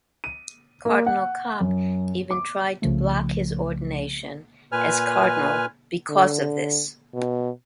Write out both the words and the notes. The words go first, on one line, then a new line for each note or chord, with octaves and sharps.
Cardinal Kopp even tried to block his ordination as Cardinal because of this.
D#7
A#3
F#5
F#2
D6
C2 C#3 F3 A3
A#2 B4 G#5 F6
D3
B2